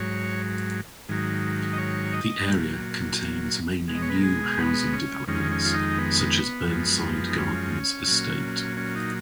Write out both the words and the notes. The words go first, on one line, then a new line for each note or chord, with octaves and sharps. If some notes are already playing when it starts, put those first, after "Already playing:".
The area contains mainly new housing developments such as Burnside Gardens Estate.
Already playing: G#2 F#3 C#5
G#2 D#3 F#3
D#5
C#5
D#5
A#2 F#3
B2 G#3
D#5
C#5
B4
A#4
G#4
B3
C#4
F2 D#3 G#3 C#4
C#4
F4
D#4
B3
F#2 F3 G#3
D#4
C#4
A#2 F#3
C#4
D#4